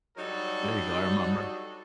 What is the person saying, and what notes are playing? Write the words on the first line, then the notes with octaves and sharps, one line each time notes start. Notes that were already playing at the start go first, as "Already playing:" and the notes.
there you go. I remember.
F#3 G3 D4 D#4 F#4 A4